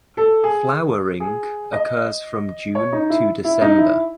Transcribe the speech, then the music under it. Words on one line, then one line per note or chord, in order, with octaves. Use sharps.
Flowering occurs from June to December.
A4
G#4
G#4
D#5
C#5
D#4
E4
E4
D#4
E4